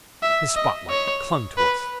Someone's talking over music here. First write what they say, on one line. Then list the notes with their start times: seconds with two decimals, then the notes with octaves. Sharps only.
His spotlight clung to us.
0.23 E5
0.56 D#5
0.90 C#5
1.57 B4